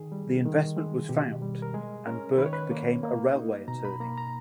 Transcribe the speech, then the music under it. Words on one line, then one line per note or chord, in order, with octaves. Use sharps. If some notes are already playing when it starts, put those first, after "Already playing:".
The investment was found, and Burke became a railway attorney.
Already playing: D#3 G#4
G3
D#3
G#3
B2 G4
G3
A#4
G#3 G#4
C#4 A#4
D#3 B4
C#5
B4
A#3
A#3
D#4
B2 A#5
B5
A#3 A#5
A#5